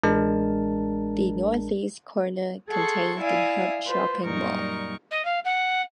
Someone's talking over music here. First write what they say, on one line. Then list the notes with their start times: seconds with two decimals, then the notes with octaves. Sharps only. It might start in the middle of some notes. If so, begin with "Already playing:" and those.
The northeast corner contains The Hub shopping mall.
0.04 A1 G#3 D4 A#4 A5
2.69 G#4 A4 F#5 C6 C#6
3.19 E4 D5 E5 F5 G#5 D#6
3.85 F4 B4 C5
4.23 F#2 A#2 G3 D#4 A#4 C#6
5.11 D#5
5.25 F5
5.44 F#5